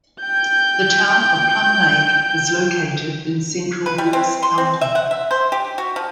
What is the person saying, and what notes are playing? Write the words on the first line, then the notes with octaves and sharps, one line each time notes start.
The Town of Plum Lake is located in central Vilas County.
G5 G6
B4
G3
C4
C6
C4
E5
F#5
E5
C5
G4
F#4
F3